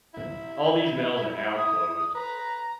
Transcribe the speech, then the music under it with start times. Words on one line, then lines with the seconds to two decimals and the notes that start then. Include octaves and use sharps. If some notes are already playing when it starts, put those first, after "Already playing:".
All these mills are now closed.
0.14 E4
1.57 D#6
2.15 B4 A#5